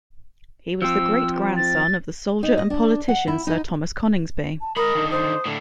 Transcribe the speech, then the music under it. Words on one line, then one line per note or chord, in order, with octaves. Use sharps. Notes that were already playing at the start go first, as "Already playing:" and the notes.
He was the great-grandson of the soldier and politician Sir Thomas Coningsby.
F3 C4 E6
A6
D#4
D#5
D4
F#5
E4
D#4
A5
G#3 A#4 B5 D#6
D3 D#3
C5 D#6
A2 D3